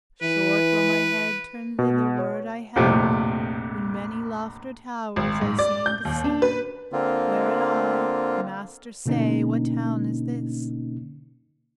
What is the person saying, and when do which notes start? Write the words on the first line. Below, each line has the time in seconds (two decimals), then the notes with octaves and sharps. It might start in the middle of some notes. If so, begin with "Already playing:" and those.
Short while my head turned thitherward I held When many lofty towers I seemed to see, Whereat I: "Master, say, what town is this?"
0.22 E3 B4
1.79 B2
2.19 C#5
2.76 A#1 F2 A2 C3
5.16 G#1
5.41 G#2
5.59 D5
5.86 G6
6.05 D#2
6.24 D4
6.42 B4
6.92 D3 A#3 C4 F4
9.06 B2 D3 A#3 C#4 D#4